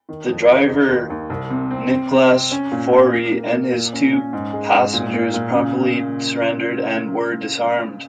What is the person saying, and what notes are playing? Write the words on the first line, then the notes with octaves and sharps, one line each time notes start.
The driver, Nicolaas Fourie, and his two passengers promptly surrendered and were disarmed.
D#3
F2
D#3
D#4
D#2
D#2
C2
C3
C4
C4
C3
C4
C#4
A#2
A#2
A#3
A#3
A#3
A#2
C#4
C#4
G#2
G#3
G#2
A#2
A#3
A#2
C#3